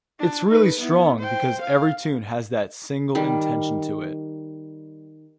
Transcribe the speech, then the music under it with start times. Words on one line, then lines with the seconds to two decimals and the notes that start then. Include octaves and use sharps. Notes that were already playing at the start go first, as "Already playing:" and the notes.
It’s really strong because every tune has that single intention to it.
0.19 D4
0.49 D#4 B4
0.78 B3 E4
1.19 C5 G5
1.61 F5
3.15 D#3 G3